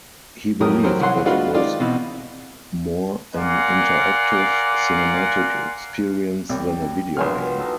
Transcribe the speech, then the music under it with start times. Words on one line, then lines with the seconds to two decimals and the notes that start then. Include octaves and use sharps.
He believed that it was "more an interactive, cinematic experience than a video game".
0.60 F2 A2 F#3 G4 A#4 D#6
0.83 E3 F#3 G4 A#4 C5
1.00 C2 E3 C#5 F#5 C6
1.25 G#3 D4 F4 F#4 B4 F5
1.53 D#3 G#3 F4 D5
1.80 B2 E3 C4
3.36 A#4 D5 F5 F#5 G#5 C6
6.49 C2 G4
7.17 A#1 G2 B2 F4 G#5 F6
7.58 D#4 A4 D#5